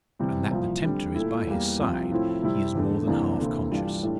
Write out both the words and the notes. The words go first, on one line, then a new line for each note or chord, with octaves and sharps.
And that the tempter is by his side he is more than half conscious.
C3 E3 G3
C2 A#2 F3
D3 G3 C4
A#2 A3 E4
E2 E3 G3 A#3
C2 C3 F3 C4 F4
A2 F3 C4 E4
C3 G3 C4 E4
E2 D3 A3
C2 C3 E3 A#3 D4
D2 C3 E3 A#3 E4
G2 E3 G3 D4 F4
A2 G3 D4